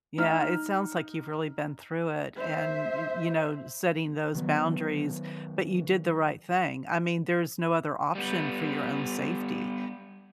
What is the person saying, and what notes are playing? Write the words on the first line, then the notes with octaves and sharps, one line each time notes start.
Yeah, it sounds like you've really been through it, and, y you know, setting those boundaries, but you did the right thing, I mean, there's no other option for your own safety.
D#4 F6
C5 E5
D#3 F#3 B3
G3 B3